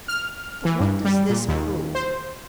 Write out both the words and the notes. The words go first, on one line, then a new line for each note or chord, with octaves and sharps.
But what does this prove?
F6
E3
G2
G3
A#2
D#2
C5